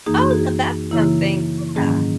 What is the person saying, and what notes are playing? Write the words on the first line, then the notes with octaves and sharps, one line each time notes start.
Oh, now, that's something. Yeah.
F#2 E3 A#3 D#4 G#4
F#4
G#4
C#3 E3 A#3 E4
G#2 D#3 F#3 A#3 C#4 G#4